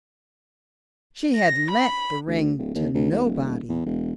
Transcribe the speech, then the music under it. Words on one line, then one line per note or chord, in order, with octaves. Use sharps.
She had lent the ring to nobody.
A#6
B5
D2
D1
D#2
D2
D#2
D#1
E2
E1